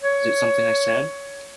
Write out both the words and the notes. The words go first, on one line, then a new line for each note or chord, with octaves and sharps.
Is it something I said?
C#5